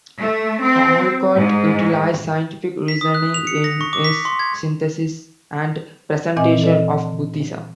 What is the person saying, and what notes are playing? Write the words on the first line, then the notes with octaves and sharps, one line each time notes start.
Olcott utilized scientific reasoning in his synthesis and presentation of Buddhism.
A3
C4
G#2
B6
D#6
F#6
F7
C#7
A#6
C#6
D6
B6
C6
G#6
A#2 E3 C4 D#5 G#5 D6
A4 D5 D#5